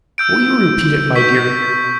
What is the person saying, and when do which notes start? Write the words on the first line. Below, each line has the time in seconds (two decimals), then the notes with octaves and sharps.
Will you repeat it, my dear?'
0.18 E6 G6 D7
1.15 C#6 G6 B6